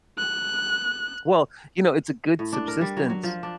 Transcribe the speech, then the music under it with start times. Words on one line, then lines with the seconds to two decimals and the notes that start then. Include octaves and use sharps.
Well, you know, it’s a good subsistence,
0.18 F#6
2.39 A2
2.53 D4
2.68 A#4
2.81 G3
2.97 F#3
3.10 F#3
3.23 F3
3.43 D4